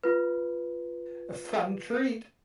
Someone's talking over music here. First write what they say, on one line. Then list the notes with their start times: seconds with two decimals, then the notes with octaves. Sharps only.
A fun treat.
0.03 F4 B4